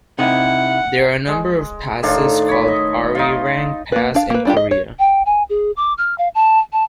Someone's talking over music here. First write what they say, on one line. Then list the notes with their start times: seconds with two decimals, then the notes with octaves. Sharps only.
There are a number of passes called "Arirang Pass" in Korea.
0.19 C3 D#4 E4 F#5
1.28 G#3
2.03 A2 D#3 D4 F4
2.48 C#5 B5
2.68 D#5
3.15 D#4 F4
3.92 A#3 B4
4.15 D4 F5
4.30 A#3 B4
4.45 G3 D4 F4 G4
4.57 D#5
4.71 C#5
4.99 G5
5.26 G#5
5.50 G#4
5.77 D6
5.98 F6
6.18 F5
6.35 A5
6.73 A5